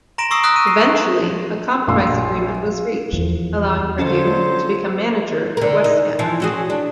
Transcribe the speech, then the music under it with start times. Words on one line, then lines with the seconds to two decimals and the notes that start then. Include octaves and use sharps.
Eventually, a compromise agreement was reached, allowing Pardew to become manager at West Ham.
0.18 A#5 C6 A#6 D7 E7
0.31 C6 C#6 D#6 E6 A#6 C7
0.43 C6 D#6 F6 F#6 A#6 B6
0.56 D#7
0.67 C7
1.87 A#1 F5 C6 E6
3.13 E2 F3
3.98 G2 D3 F#3 C#4 F4 A4 C5 D#5
5.57 D3 A#4
5.84 D#4
6.19 E3 F3
6.40 C#4 F#4 G#4
6.70 D4